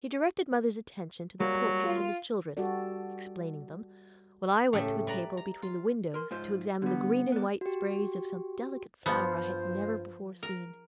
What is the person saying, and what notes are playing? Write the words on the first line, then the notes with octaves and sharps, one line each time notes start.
He directed mother's attention to the portraits of his children, explaining them, while I went to a table between the windows to examine the green and white sprays of some delicate flower I had never before seen.
F#3 G3 A#3
F4
G3 F#4 G4 A4 D5
A2 C#3 A3 G4 E5 A5
B4 D5 A#5 B5
A#5
F4
A#4 C6
G#2 F4 C5
D3 G3 B3
B3 D5
F#4 G4
G2 F3 B3 F4 C5
A#4